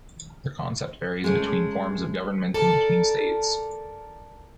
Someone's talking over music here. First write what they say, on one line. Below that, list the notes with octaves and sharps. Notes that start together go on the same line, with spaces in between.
The concept varies between forms of government and between states.
G#3 A3 C#4
A4 A#4 D5